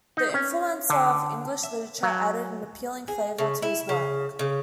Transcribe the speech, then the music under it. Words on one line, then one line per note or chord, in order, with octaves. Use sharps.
The influence of English literature added an appealing flavor to his work.
D#4
C#4
D3
E5
F#3
G#4
C#3
E4
C#3
C#3